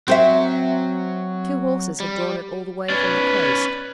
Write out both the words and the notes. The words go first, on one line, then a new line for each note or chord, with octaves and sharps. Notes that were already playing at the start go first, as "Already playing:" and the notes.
Two horses had drawn it all the way from the coast.
F#3 C4 C5 E5
G3
C#4 B4 D5